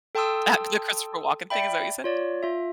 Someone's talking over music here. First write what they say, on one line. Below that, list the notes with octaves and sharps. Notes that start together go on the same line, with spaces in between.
Uh, the Christopher Walken thing, is that what you said?
A4 G5 A5 C6 D#6 E6
D5 E5 G5 B5
F4 C#5 D5
F4 E5